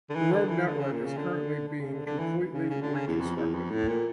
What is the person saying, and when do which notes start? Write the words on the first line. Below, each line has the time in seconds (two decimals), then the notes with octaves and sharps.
The road network is currently being completely reconstructed.
0.10 D3
0.15 E3
0.32 D3
0.49 E3
0.66 D3
0.79 C#3
0.92 A#2
1.05 C#3
1.17 D3
1.68 D3
1.81 C#3
1.93 D3
2.06 D3
2.19 E3
2.53 C#3
2.70 C#3
2.82 D3
2.95 C#3
3.07 E2
3.20 F2
3.36 E2
3.54 F2
3.71 A2
3.88 A#2